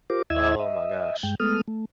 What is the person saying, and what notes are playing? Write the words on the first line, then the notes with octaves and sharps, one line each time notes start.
Oh my gosh.
F4 G4 A#4 C5 D6
D#2 E4 D#5 E5 E6 G#6
D#5 E5
G2 G#3 G5
G#3 A3 B3 A4 D#6 F6
A3